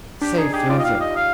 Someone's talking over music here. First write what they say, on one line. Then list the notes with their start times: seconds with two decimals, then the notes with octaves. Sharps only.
Say further.
0.21 D4 G4
0.38 D#4 G#4
0.53 G4 G#4
0.70 F4 D5
0.79 D#5
0.84 F5
1.01 D#5
1.16 F5